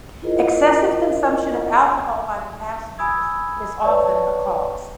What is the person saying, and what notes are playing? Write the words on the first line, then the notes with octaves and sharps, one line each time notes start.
Excessive consumption of alcohol by the passengers is often a cause.
E4 F4 G#4 A#4 C5 D#5
G#5 B5 D#6 E6 G#6
B4 C#5 D5 A5 C#6